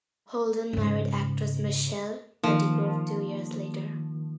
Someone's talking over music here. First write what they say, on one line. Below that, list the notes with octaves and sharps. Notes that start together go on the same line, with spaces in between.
Holden married actress Michelle Pettigrove two years later.
G#2 C#3
D#3 F3 A#3